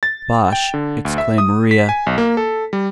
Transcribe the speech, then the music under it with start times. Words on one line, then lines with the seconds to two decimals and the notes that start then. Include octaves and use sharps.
"Bosh!" exclaimed Maria.
0.03 A6
0.52 G5
0.74 D3
1.05 D2
1.18 E5
1.38 D#6
1.71 B6
1.89 G#5
2.06 B1
2.18 A#3
2.37 A4
2.73 G3